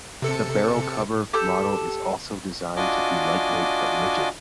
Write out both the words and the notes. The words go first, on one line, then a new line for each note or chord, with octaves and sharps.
The barrel cover model is also designed to be lightweight but rigid.
C3 A4 C#7
G4 A4 E6 G6
D4 F4 F#4 D#5 G#5 D6